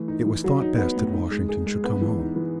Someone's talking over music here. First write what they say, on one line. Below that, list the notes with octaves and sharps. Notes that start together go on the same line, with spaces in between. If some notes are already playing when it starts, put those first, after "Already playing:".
It was thought best that Washington should come home.
Already playing: E3 A3
D#4
E3
F#3
D#4
B3
A2
D#4
G#3
G#4
G#3
B3
E3
D#4
E3